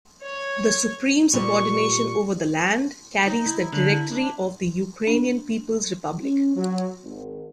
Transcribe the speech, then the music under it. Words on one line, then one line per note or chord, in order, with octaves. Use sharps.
The Supreme subordination over the land carries the Directory of the Ukrainian People's Republic.
C#5
A#2 G3 C#6
D#4
E4
D3
E4
D4
D4
C#4
F#3
G#1